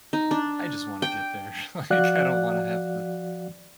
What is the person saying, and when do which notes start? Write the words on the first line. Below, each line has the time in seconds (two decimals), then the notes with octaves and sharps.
I just wanna get there, like, I don't wanna have to,
0.13 D#4
0.31 D4
1.02 G5
1.90 F3 F#4 D5 F5 F#5 F#6